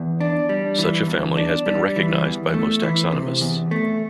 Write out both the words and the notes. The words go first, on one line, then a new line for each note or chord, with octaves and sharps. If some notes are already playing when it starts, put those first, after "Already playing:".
Such a family has been recognized by most taxonomists.
Already playing: E2
D4
G3
E3
E2
D4
G3
E3
E2
A3
E3
C3
E2
A3